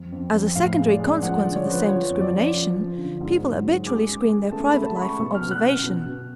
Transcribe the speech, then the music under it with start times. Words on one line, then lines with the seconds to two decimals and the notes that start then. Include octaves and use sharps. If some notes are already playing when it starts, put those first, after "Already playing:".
As a secondary consequence of the same discrimination, people habitually screen their private life from observation.
Already playing: F2
0.12 F2
0.34 F2
0.55 A2 F5
0.79 G#3
0.90 D5
1.00 G#3
1.22 F3 F#5
1.38 D5
1.44 D3
1.56 C#5
1.66 F3
1.72 B4
1.88 F3 C#5
2.09 F2
2.21 D5
2.33 F3
2.54 F3
2.76 F3
2.97 D3
3.21 G#2
3.42 F#3
3.64 F#3
3.86 G#3 D6
4.08 G#3
4.30 G#3
4.52 A3 A5
4.69 A3 B5
4.86 A5
4.95 A3 B5
5.01 C#6
5.19 B2
5.35 F6
5.40 B2
5.51 F#6
5.62 B2
5.68 F6
5.84 B2
6.05 B2